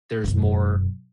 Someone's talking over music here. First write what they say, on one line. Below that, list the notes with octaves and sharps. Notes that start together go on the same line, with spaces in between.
there's more,
E1 F#2